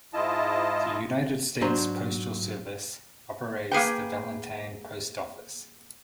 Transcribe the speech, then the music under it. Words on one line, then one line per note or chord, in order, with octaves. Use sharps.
The United States Postal Service operates the Valentine Post Office.
G#2 E4 F4 D#5 A5
G#2 F#3 D4 C5 A#5
A#3 G#4 B4 G5